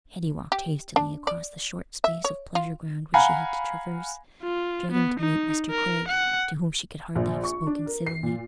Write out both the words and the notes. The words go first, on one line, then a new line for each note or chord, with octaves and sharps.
Hetty walked hastily across the short space of pleasure-ground which she had to traverse, dreading to meet Mr. Craig, to whom she could hardly have spoken civilly.
G4
D4
D5
E5
C#5
F4
F5 F#5 G#5 A#5 B5
F4
B3
D#4
A#4
F#5
A#1
C#6
D4
A#4
C7
A#2